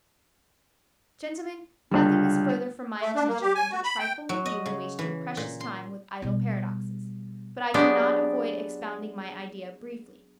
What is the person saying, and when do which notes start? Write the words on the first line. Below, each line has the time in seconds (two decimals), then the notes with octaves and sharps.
Gentlemen, nothing is further from my intention than to trifle with you and waste your precious time with idle paradoxes; but I cannot avoid expounding my idea briefly.
1.91 C#2 D3 G3
3.01 A3
3.15 D4
3.28 A#3
3.41 G4
3.55 G#5
3.71 F#4
3.84 B5
3.99 G5
4.29 F#3
4.46 D#5
4.66 C#3
4.99 E3
5.37 A#2
5.61 C6
6.22 B2 G3
7.74 F#3 G#3 B3 D4 G4